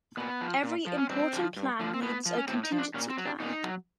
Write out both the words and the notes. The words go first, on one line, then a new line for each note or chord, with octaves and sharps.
Every important plan needs a contingency plan.
A#2 B3
F3
A#2
F3
C#4
G2 C4
D3 F3
G2
D3 F3
C4
A2 B3
F3
C#4
A2 C4
D#4
F3
D4
A#2 C#4
C4
F#3
D4
A#2 D#4
F#3